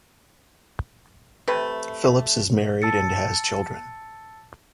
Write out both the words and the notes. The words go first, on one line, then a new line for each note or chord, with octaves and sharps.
Phillips is married and has children.
C3 A3 B4
A5 E6 A6 C#7